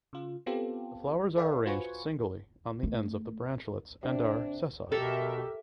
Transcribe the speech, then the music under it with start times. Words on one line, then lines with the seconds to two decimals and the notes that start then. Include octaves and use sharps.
The flowers are arranged singly on the ends of the branchlets and are sessile.
0.13 C#3 F4
0.46 B3 C4 F4 G4 A4
1.36 A4 B4 D5 E5 F5 G5
1.66 F4 F#4 B4 C5 G#5 C#6
2.83 A3
4.03 C3 D4
4.92 B2 G4 A4 A#4 E5